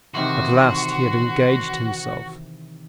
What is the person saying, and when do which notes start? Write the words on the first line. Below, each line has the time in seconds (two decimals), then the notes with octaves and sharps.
At last he had engaged himself.
0.15 C3 D#3 E3 F#4 C6